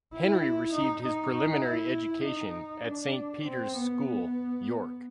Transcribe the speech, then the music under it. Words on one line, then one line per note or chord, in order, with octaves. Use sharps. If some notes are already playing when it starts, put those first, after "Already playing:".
Henry received his preliminary education at Saint Peter's School, York.
E4
D#4
D#4
E4
D#4
D4
C4
B3